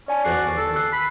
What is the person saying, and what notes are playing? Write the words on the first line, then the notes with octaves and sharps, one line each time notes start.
Definitely, man.
C#4 D5 G#5 A5
F#4 D5 C7
A4
E6 F#6 C7
B5